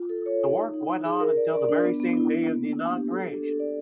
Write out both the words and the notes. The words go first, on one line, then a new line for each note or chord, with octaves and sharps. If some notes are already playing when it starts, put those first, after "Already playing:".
The work went on until the very same day of the inauguration.
Already playing: F4
A4
C#5
C#5
D#4
D#4
D#4
G#4
A#4
D5
D5
D4
B3
B3
E4
B3
A#3
D4
D4
G4
A4
D4
A4
D5